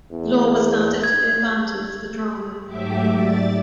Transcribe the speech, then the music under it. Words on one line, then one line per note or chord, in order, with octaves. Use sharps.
The law was now definitely abandoned for the drama.
E2
G#6
G#2 F#3 A3 G4 E5 D6
D5 A6